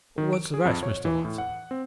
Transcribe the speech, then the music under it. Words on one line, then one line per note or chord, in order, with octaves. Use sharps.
"What's the rest, Mr. Watson?"
D#3
D7
G#4
F2
C#5
E3
A2
F#5
C4